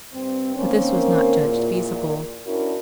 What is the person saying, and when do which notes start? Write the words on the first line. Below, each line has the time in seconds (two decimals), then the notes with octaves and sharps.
But this was not judged feasible.
0.13 G2 C4
0.55 D#3 A#3 C4 C#4
1.43 E2 A#2
2.45 C#4 D4 E4 F#4 A#4